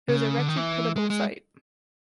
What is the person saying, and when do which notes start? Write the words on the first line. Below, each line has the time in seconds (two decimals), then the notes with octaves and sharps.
It was a wretched, pitiable sight.
0.09 C#3
0.38 D3
0.48 D#3
0.56 E3
0.96 G#3
1.10 G#3